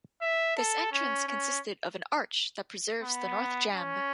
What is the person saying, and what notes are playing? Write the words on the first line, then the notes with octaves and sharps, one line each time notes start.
This entrance consisted of an arch that preserves the north jamb.
E5
A4
C#4
C#4
B3
C#4